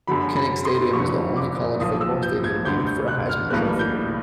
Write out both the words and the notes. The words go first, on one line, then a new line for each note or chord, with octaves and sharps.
Kinnick Stadium is the only college football stadium named for a Heisman Trophy winner.
F#2 D3 F#3 B5
B5
C6
F#1 F2 D3 G3 C#6
D6
B1 A#2 F3 D#6
E6
G6
G#6
D2 D3 G3 G6
G6
F#6
F6
B1 A2 E3 G3 A#3 F#6
G6